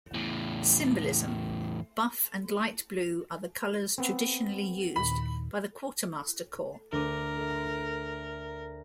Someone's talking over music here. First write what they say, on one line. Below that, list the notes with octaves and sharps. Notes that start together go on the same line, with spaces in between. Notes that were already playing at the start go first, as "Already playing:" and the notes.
Symbolism: Buff and light blue are the colors traditionally used by the Quartermaster Corps.
E2 A2
B3 C4
D#2 A#2 D#3 B5
D2 A#4 D6 D#7
A4 E5